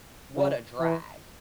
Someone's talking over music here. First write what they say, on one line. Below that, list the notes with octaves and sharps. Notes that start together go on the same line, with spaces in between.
what a drag.
C#3
E3